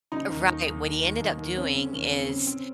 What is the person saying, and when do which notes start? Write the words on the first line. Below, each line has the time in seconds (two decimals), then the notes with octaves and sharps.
Right. What he ended up doing is,
0.12 C#3 D#4
0.30 D#2
0.49 D#2
0.67 D#2
0.85 D#2
1.03 D#2
1.20 D#2
1.38 D#2
1.57 C4 C#4
1.75 C#3
1.93 D#2
2.11 C4
2.29 C#3
2.47 C4